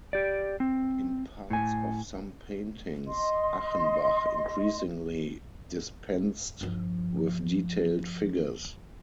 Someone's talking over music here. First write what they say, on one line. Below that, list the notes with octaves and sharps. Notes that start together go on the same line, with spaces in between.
In parts of some paintings, Achenbach increasingly dispensed with detailed figures.
G4 D5
C4
A2 G#5
D#5 C6
G2 F3